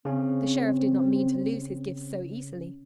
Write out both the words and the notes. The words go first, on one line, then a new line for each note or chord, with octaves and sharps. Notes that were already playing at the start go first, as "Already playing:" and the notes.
The Sheriff did not mean to lose his gifts so easily.
C#3 C4 C#4